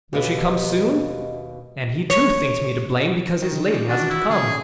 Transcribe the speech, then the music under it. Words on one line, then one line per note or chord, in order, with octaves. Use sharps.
Will she come soon?' And he, too, thinks me to blame because his lady hasn't come.
D#2 B2 G4 D#5 E5
C#5
D#3
C#4 F4 D5
D4 F#4
E4
D3 C#4 G#4